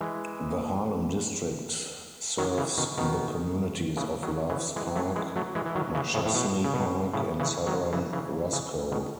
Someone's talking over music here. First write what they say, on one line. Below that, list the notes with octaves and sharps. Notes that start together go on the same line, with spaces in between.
The Harlem District serves the communities of Loves Park, Machesney Park, and southern Roscoe.
E3 G#3
D#3 F#3
C#3 E3
B2 D#3
B2 D#3
C#3 E3
D#3 F#3
C#3 E3
E3 G#3
F#3 A3
E3 G#3
F#3 A3
E3 G#3
E3
D#3 F#3
C#3 E3
A2 C#3
A2
B2
C#3
B2
A2 C#3
C#3 E3
D#3 F#3
C#3 E3
C#3 E3
C#3 E3
B2 D#3